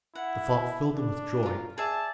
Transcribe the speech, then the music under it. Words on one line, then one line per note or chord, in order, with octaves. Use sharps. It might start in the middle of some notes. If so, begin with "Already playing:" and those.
The thought filled them with joy.
E4 F#5
D4
F4 A#4
G#4 D5 E5 A5